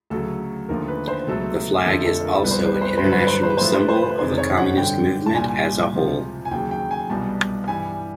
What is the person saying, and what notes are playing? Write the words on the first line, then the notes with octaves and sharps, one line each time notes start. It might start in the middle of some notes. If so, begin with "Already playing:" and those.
The flag is also an international symbol of the communist movement as a whole.
D2 C#3 F#3 A4
D#2 D3 F3 A3 A#4
B4
C5
C#2 B2 F#3 A3 A4
F2 D3 F3 A3 A4
A4
A#4
C2 B2 G3 B4
C5
B4
C5
B4
C5
B4
C5
G2 D3 F#3 B4
C5
B4
C5
B4
C5
B4
C5
A2 F3 A3 B4
C5
B4
C5
B4
C5
B4
F2 C3 D#3 G#3 C5
C#5
F#5
G2 D3 G3 G5
A5
C2 A#2 G3 G#5
C#2 C3 F3
G#5
D#2 C#3 F#3 G5
G5
G#5
C2 B2 G3 A5
G2 E3 G3 G#5